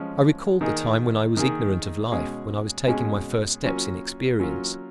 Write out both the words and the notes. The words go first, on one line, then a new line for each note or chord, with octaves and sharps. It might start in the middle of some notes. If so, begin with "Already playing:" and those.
I recalled the time when I was ignorant of life, when I was taking my first steps in experience.
Already playing: F3 G#3 C#4
D#3 A#3 D#4 G#4
D#3 A#3 D#4 G#4
B2 G#3 C#4 G#4
B2 G#3 C#4 G#4
F#3 A#3 C#4 F4
F#3 A#3 C#4 F4